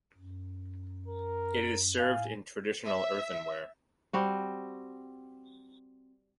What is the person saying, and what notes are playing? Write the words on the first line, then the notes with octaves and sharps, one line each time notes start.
It is served in traditional earthenware.
F#2
A#4
A2 F5 G#5
E5
G3 C4 F#4